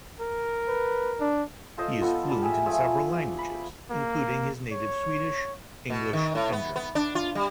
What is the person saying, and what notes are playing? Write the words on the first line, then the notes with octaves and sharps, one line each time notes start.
He is fluent in several languages including his native Swedish, English and German.
A#4
B4
D4
F4 A4 C5 D#5
F3 B3 A4
D5 A5 B5
G4 G#4 E5
F3 A3 G#4 E6
B5
A#3
C#5
B2
D#3
A2
B3
B3
D4
F4
G3